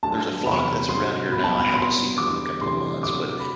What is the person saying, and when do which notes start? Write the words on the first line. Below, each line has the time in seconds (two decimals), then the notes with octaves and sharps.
there's a flock that's around here now, I haven't seen them in a couple of months, but
0.03 D2 D3 F#3 A5
0.45 E2 C3 G3 B5
0.88 D2 C3 F#3 C6
1.32 C2 B2 F#3 B5
1.44 A5
1.57 B5
1.67 B5
1.75 C2 B2 F#3 C6
2.17 E2 D3 G3 D6
2.61 D2 C3 E3 G3 C6
3.03 D2 C3 F#3 D6
3.40 B5